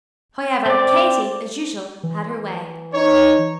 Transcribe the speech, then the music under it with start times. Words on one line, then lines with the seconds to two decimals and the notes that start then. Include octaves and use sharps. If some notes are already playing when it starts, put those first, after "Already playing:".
However, Katy, as usual, had her way.
0.66 C4 D5
2.03 E3
2.94 D#4 C#5